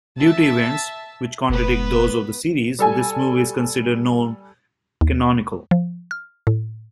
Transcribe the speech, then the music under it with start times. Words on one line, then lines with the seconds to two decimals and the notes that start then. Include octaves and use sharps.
Due to events, which contradict those of the series, this movie is considered non-canonical.
0.19 E5 A5
1.50 F1 B3 B4
2.79 G3 A4 G#5
5.01 D#2
5.71 F3
6.11 F6
6.47 A2